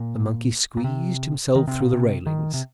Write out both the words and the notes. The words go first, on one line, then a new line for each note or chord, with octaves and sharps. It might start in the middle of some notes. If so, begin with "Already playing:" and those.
The monkey squeezed himself through the railings.
Already playing: A#2
A#2
C3
D#3
C3
A#2
C3
D#3
C3